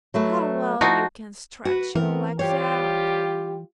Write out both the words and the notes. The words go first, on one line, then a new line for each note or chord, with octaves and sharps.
How well you can stretch your legs out!
F#3 A3 B4
F3 D#4 E4 F#4
F#4 B4
E3 B3 C4 A#4
G3 F4 G4 C5 C#5